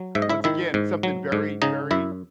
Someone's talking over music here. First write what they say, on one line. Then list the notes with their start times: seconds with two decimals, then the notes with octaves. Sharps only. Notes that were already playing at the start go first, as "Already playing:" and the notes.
once again, something very, very
Already playing: F#3
0.15 G#2 E5
0.22 D#5
0.29 E4 E5
0.44 D#3 E4 E5
0.74 G#2
1.03 F#3
1.32 G#2
1.62 C#3 D#4 D#5
1.91 F#2 E4 E5